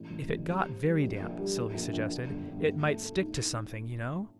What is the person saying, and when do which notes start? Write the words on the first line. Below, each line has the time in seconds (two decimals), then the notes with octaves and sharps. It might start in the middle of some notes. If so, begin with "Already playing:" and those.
"If it got very damp," Sylvie suggested, "it might stick to something, you know."
Already playing: A1
0.10 A1
0.28 A1
0.47 G3
0.66 C4
0.83 G3
1.02 A#1
1.20 A#1
1.38 G3
1.56 A#1
1.74 A#1
1.93 A#1
2.11 D3
2.30 G1
2.48 G2
2.66 A3
2.84 A3
3.03 A3
3.21 D#4
3.40 A2